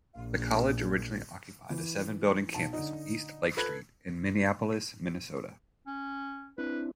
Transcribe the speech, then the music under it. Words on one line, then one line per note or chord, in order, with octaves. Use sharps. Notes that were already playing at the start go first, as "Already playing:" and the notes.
The college originally occupied a seven-building campus on East Lake Street in Minneapolis, Minnesota.
A#1
E3
B1 A5
D3 D#4
A4 B4 B5 F#6 G#6
C#4
C4 D4 E4 B4